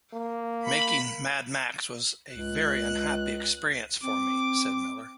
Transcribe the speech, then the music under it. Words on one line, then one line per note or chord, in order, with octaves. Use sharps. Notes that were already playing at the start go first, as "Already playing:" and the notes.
"Making "Mad Max" was a very unhappy experience for me," said Miller.
A#3
B5
C#2 F#6
C4 D6